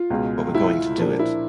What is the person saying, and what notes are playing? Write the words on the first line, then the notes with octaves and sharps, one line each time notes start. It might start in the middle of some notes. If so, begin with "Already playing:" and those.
But we're going to do it.
Already playing: F4
C#2 B2 G#3
E4
A#2 F3 A#3 D4
E4